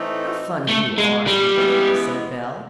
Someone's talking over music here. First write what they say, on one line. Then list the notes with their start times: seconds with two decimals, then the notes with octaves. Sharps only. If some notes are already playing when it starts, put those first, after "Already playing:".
"How funny you are, Edith," said Belle.
Already playing: A2 E3 A3 C4 D#4
0.69 A3
0.98 G#3
1.27 G3
1.56 C#3 E3 G#3 B3